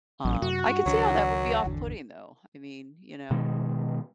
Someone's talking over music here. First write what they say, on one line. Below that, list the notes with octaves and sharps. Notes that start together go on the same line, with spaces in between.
um, I could see how that would be off-putting, though, I mean, you know,
A1 F#3 C#4
F#2 C3 F#3 F#4
G2
C#2 D#3 F#3 D4
G#1 E2 D3
B2 D#3 G#3